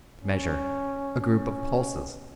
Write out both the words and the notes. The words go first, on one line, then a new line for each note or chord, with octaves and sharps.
Measure: A group of pulses.
C#4
C#4